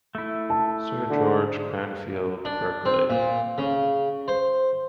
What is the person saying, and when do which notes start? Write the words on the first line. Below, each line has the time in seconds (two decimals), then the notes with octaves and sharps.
Sir George Cranfield-Berkeley.
0.15 A3 E4
0.50 A5
1.10 D3
2.45 D4
2.86 C4
3.10 A#2
3.58 C#3
4.28 C5